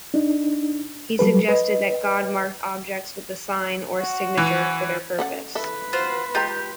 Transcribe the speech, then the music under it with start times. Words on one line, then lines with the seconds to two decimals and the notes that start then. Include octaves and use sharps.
He suggested that God marked objects with a sign, or "signature", for their purpose.
0.14 D4 D#4
1.19 F#3 G3 A4 B4
1.48 B4 D#5
3.99 F#4
4.37 E3
5.19 C#4 A4 F#5
5.55 A4 B4 E5
5.93 F4 F#4 C5
6.35 G#3 F4 G4 A#5